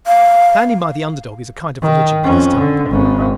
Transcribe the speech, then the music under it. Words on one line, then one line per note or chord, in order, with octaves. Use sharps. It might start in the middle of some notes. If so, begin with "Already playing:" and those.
Standing by the under dog is a kind of religion with this type.
F5
D#3
F2 C#4
D3
G#1 C#4